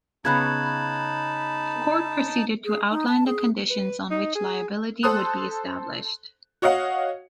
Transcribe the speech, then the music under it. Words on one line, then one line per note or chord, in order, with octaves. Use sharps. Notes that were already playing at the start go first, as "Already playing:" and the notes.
The court proceeded to outline the conditions on which liability would be established.
C#3 B3 C#4 D#4 A5 B5 F#6 G#6
G#4
D#4
A5
G#4
B4
D#4
G#4
A4 C5 C6 D#6 F#6
F#4 C#5 D#5 F5 F#5